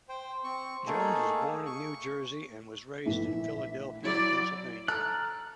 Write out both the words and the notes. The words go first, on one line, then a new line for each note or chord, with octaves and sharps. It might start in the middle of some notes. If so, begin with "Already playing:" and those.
Jones was born in New Jersey, and was raised in Philadelphia, Pennsylvania.
C5 G5
C4 C#6
A3 A#3 D#4 G#4 A4
C#6
A#1 E3 A3 E5
F#3 E4 D5
A4 A#5 F6 F#6